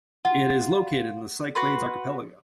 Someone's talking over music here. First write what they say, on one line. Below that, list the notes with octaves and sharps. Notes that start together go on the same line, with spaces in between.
It is located in the Cyclades archipelago.
F4 F#5
F#4 B4 C6